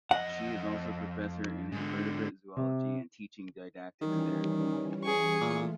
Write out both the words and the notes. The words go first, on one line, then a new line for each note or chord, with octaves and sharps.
She is also Professor in Invertebrate Zoology and Teaching Didactics there.
F2 D#5 F#5
G#2 D3
C3
D#3 E3 G3 C#4
G#4 C#6
A#2 E3 A3 F4